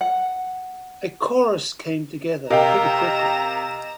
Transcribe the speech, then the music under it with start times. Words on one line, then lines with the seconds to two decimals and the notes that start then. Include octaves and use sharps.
A chorus came together pretty quickly.
0.01 F#5
2.50 C3 A#4 D#5 F5 G5 A#5 E7